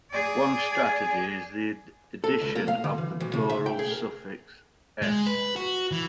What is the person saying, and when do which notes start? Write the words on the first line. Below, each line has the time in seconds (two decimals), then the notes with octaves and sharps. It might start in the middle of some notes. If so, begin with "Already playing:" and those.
One strategy is the addition of the plural suffix "-s".
0.10 G#4 D5
0.71 G#5
2.24 A4
2.41 C#2
2.55 A#3
2.68 F5
2.84 D3
2.98 E3
3.20 B1
3.33 C#3
3.49 E5
3.66 G5
3.79 G#4
3.91 A#4
5.02 G#3
5.26 B4
5.56 F#4
5.91 E3